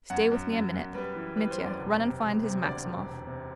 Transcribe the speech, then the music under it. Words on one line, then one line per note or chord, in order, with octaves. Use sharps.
"Stay with me a minute. Mitya, run and find his Maximov."
F#2 F#5
F#2
F#2
F#2
G3 B4
E3
G3 B4
C5
F#2
D5
E1
C3
E1
C3
D2 D5
E1
E1
C3